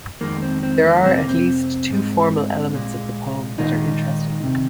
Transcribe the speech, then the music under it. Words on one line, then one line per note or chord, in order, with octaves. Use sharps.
There are at least two formal elements of the poem that are interesting.
F2 D#3 G#3 A#3
C4
C4
A#3
F2 C3 G#3 C4
A#3
C4
G#2 G#3
A#2 G#3
A#2 D#3 G#3 D#4
C3 D#3